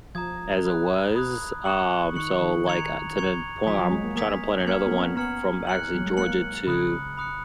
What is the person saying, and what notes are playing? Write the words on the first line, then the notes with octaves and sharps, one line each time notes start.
as it was. Um, so like, uh, to the point I'm trying to plan another one from actually Georgia to,
F3 A#5 D#6 G#6
B5 D#6 F#6
B5 D#6 F#6
C#6 F#6 C#7 F#7
D#3 C#6 F#6 C#7 F#7
D#3
D#3 A#5 C#6 G#6 C#7 F7
A#5 C#6 G#6 C#7 F7
F3 G#5 D#6 G#6 B6 F7
F#3
G#3
A#3
A#3 G#5 D#6 G#6 B6 F7
A#3 A#5 F6 G#6 C#7 F#7
B3
A#3 C#4
B3 A#5 F6 G#6 C#7 F#7
F#6 C#7 F#7
F#3
G#3
A#3 F#6 C#7 F#7
C#3 B5 D#6 F#6 C#7
B5 D#6 F#6 C#7